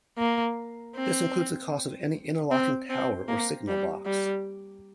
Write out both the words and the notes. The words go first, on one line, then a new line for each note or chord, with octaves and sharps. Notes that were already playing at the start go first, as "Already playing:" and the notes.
This includes the cost of any interlocking tower or signal box.
A#3
C4
C4
C4
A#3
G3
G3